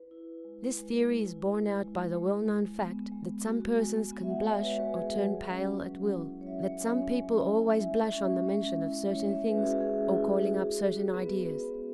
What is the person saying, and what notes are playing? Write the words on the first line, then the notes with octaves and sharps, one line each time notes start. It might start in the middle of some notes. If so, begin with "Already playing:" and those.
This theory is borne out by the well-known fact that some persons can blush or turn pale at will; that some people always blush on the mention of certain things, or calling up certain ideas.
Already playing: E4 B4
E4
G#3
G#3
E4
E4
G#3
G#3
G#3
B3
G#3
F#4
G#3 G#5
G#5
B3 G#5
E5
F#5
C#5
G#3 E5
B4
F#4 B4
G#4
F#3 F#5
C#4
F#3
E4
C#5
F#3 E5
C#5
C#4 G#5
G#5
F#3
E4
G#3 E5
C#4
G#3
E4
G#3 C#5
E5
C#4 B4
F#4
G#4
G#3 G#4
E4
F#4
F#4
B3 B4
B3